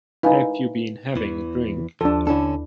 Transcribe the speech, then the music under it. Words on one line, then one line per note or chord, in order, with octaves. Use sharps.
Have you been having a drink?
D#4 E4 B4 F5 G#5
E2 E3
D#2 F3 D4 A4
D3 C#4 D4 E4 A4